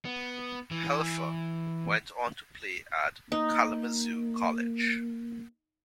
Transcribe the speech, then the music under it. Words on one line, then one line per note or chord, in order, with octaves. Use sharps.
Helfer went on to play at Kalamazoo College.
B3
E3
A#3 D#4